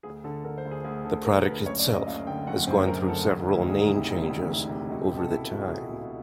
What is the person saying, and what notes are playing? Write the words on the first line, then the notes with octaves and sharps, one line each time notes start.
The product itself has gone through several name changes over the time.
D2 G#4
D3 A4
D3 A#4
C5
D2
G#4
D2 G#4
D3 A4
D3 A#4
D2 B4
F#1 C#5
D5
F#2
D#5
F#1 F5
D3 G5
F#1 F#5
F#2 C5
F#1 A#4
D3 A4
E1
D2
D#3 G#4
C3 E4
E1
D2
D#3
C3
C#2 F#4
G4
B2
A4
B2 E4
C#2 F#4
G#4
C#2
F#4
B2
F4